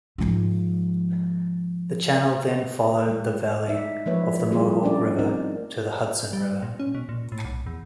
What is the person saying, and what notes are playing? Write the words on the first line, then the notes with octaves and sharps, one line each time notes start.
The channel then followed the valley of the Mohawk River to the Hudson River.
G#2 F3
G#3 A3
D#4 D5 E5
F3 G#3 A#3 B4 C#5 E5
G3 A3 A#3 E4 F4 G#4
A3 C#4 D4 D5
C4 D4 D#4 A#4
G3
A#2
C#4
B2
A#2
A2
B1
E2